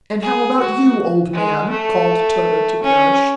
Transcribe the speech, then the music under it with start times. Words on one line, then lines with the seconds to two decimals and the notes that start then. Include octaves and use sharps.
"And how about you, old man?" called Tode to Parrish.
0.23 G#4
0.60 F#4
1.33 G#3
1.71 A3
2.82 C#4